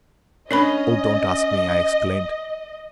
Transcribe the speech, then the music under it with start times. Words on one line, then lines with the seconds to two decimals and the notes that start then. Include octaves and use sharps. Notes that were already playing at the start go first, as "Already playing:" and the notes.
"Oh, don't ask me!" I exclaimed.
0.51 C#4 D4 A#4 D#5 B5